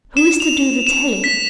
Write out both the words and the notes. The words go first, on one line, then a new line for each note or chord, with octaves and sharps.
"Who is to do the telling?"
E7
F7
E7
B6